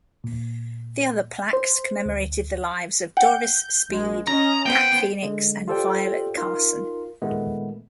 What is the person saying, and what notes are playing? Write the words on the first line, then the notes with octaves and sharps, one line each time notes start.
The other plaques commemorated the lives of Doris Speed, Pat Phoenix and Violet Carson.
A#2
C5
D2
F#5 G5 G6
A#1 G#3
C#4 D#5 A#5
B3 C5 G5 G6 D#7
D3 G#3
F4 G4 A4 C5 D5 G5
D#4 F4 A#4
A#2 D#3 G#3 A3 B3